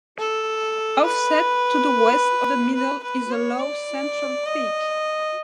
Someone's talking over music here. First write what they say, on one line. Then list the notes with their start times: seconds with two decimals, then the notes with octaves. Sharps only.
Offset to the west of the middle is a low central peak.
0.19 A4
1.04 B4
2.75 B4
3.04 B4
3.32 C#5
3.60 D5
4.46 D#5